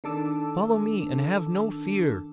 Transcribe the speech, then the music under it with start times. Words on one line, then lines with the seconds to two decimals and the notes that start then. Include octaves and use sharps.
"Follow me and have no fear."
0.04 D#3 D4 A4 A5 D6 E6